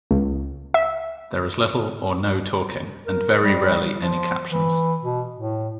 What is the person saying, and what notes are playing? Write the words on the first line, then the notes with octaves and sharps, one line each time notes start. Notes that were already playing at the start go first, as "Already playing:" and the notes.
There is little or no talking, and very rarely any captions.
C#2
E5
A#4
G3
F3
E3
B2
A2